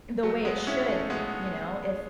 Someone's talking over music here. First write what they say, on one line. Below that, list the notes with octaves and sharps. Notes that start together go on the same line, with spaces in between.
The way it should, you know, if
F#3 A3
G#3 B3
C#4 E4
A3 C#4
G#3 B3